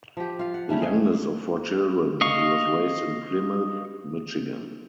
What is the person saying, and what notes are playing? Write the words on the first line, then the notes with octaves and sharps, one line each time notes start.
The youngest of four children, he was raised in Plymouth, Michigan.
F3 G4
F4 F5
F#5
C#3 G3 A3 C#4
G#3 G#4
D#5 F5 C#6